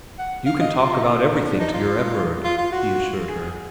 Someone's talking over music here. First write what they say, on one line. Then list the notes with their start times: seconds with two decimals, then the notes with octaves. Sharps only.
'You can talk about everything to your Everard,' he assured her.
0.19 F#5
0.46 F5
0.61 D#5
0.75 F#4
0.85 F4
0.94 D#4
1.03 F4
1.31 D4
1.45 D4
1.60 D#4
1.73 F4
2.44 F4
2.58 F4
2.72 F#4
3.28 G#4